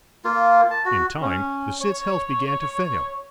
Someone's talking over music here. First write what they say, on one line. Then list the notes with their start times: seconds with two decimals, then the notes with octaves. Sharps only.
In time the Cid's health began to fail.
0.25 A#3 F4
0.71 A5
0.85 F#4
1.22 C#4
1.81 C#5